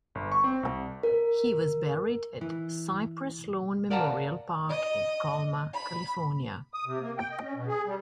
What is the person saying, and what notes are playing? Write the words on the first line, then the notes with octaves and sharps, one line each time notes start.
He was buried at Cypress Lawn Memorial Park in Colma, California.
G1
C#6
C4
C2
A#4
E3
A#4 D5 F5 F#5 A5 A#5
D#5
B5
D#6
C3
A#3
G5
D#5
C#4
B2
G#4
G3